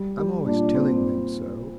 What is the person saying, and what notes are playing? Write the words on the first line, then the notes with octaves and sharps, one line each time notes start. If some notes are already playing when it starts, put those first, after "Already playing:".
I'm always telling them so.
Already playing: G3
G3
A#2 D4
C4